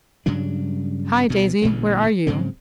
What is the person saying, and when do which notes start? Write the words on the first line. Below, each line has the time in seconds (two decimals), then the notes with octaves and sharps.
"Hi, Daisy! where are you?"
0.26 G2 C#3 F#3 D4
1.29 D2 B2
1.62 A1 A#2 D3 G#3
2.27 G#2 C#3 F#3 C4